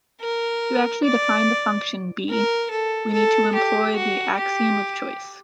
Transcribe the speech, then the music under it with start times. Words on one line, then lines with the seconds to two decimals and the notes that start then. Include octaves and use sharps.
To actually define the function "b", we need to employ the axiom of choice.
0.21 A#4
1.05 D5
2.30 A#4
2.71 A4
3.13 A4
3.55 G4
3.96 F#4
4.38 G4